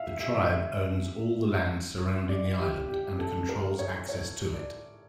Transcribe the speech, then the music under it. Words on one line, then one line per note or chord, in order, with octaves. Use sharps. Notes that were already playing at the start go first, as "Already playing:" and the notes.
The tribe owns all the land surrounding the island and controls access to it.
Already playing: E5 F5
E5
D5
G4
G4
A4
A#4
C#5
C#5
D5